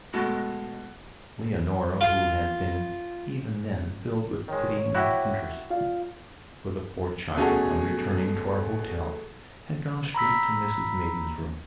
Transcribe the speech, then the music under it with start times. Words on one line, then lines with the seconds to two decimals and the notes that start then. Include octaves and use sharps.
Leonora, who had been even then filled with pity and contrition for the poor child, on returning to our hotel had gone straight to Mrs Maidan's room.
0.13 B2 G#3 A3
2.01 F4
4.48 D#3 G#3 C#5
4.95 E4 F#4 G4 E5 G5 F#6
5.70 F4 D5 F5
7.37 B2 A3 C#4 F#4 G#4 A4
10.15 A#5 B5 E6 B6